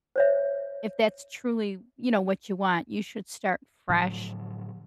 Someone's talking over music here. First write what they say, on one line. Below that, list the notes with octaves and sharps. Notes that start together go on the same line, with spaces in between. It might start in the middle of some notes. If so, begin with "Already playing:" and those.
if that's truly, you know, what you want, you should start fresh,
C5 C#5 E5
A2 D3 F3 F#3